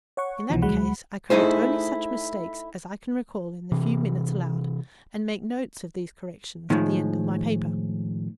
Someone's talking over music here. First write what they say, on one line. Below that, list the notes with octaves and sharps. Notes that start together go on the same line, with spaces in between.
In that case I correct only such mistakes as I can recall in the few minutes allowed, and make notes of these corrections at the end of my paper.
C#5 F#5 C#6
C2 B2 E3 F3
D2 F#3 G#3 F#5 B5
A3 D#4 E4 G#4 C5
C3 E3
A2 D#3 F3 G#3